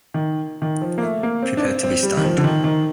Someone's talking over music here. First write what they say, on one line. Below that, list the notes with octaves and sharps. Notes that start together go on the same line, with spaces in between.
Prepare to be stunned.
D#3
D#3
F3
A#3
A3
A#3
C4
D4
C4
C4
G3
D#3
F3
D3
D#3
D#3